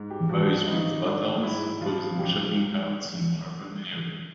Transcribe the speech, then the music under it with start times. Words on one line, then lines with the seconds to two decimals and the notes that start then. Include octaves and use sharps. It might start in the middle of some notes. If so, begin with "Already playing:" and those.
Boys with bottles pose in shopping carts in urban area.
Already playing: G#2
0.10 G4
0.29 F3 F#4
0.48 F#4
0.67 G#1 D#4
1.04 G#1 D4
1.43 G#2 E4
1.81 F3 F4
2.19 A#1 G4